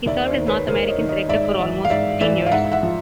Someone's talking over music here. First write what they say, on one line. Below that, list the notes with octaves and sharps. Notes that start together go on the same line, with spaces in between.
He served as North American Director for almost fifteen years.
D#2 D5 E5
C5 D5
D#3
B4 C#5
D#2 A#4 C5
C#5 D#5
D#3
C#5 D#5
G#2 D5 E5
E3
F5
G#2 D5 E5
E3 D5 E5
F5
G#2 E5 F#5
E5 F#5
F3